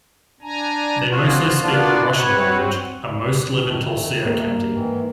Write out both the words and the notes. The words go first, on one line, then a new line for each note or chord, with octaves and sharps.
They mostly speak the Russian language, and most live in Tulcea County.
D4 G#5 A#5
F3 C4 F4 F#4
A#3 B3 D4 F4 F#4 D5
C4 F#4 B4 C#5
D#3 A3
A#3
G#2 D#3 E3